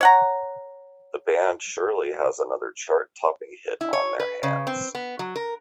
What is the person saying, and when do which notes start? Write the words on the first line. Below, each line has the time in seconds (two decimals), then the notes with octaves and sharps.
The band surely has another chart topping hit on their hands.
0.01 C#5 F#5 A#5
3.81 E4
3.93 C#5
4.20 B4
4.43 C#3
4.67 C4
4.95 B3
5.19 F#3
5.36 A#4